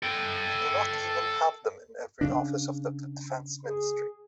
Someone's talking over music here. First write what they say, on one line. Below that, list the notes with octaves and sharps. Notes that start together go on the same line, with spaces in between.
We do not even have them in every office of the Defense Ministry.
A4 G5
C#3 D4
G#4